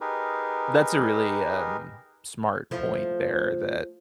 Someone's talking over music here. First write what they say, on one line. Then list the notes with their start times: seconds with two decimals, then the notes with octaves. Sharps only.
That's a really, um, smart point there that
0.01 D#4 G4 G#4 A#4 B4
2.71 F3 A3 E4